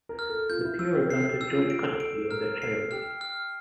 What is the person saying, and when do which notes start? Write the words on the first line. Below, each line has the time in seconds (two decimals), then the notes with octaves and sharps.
The pair were granted joint custody of their child.
0.09 A#4
0.19 F6
0.29 A4
0.50 F4 G6
0.65 E4
0.79 F4 E6
0.95 G4
1.10 A4 C7
1.30 G4
1.41 E6
1.51 F4
1.70 G4 D7
1.91 A4
2.00 D7
2.11 A4
2.31 A#4 F6
2.61 A4 C7
2.91 G4 F6
3.21 F6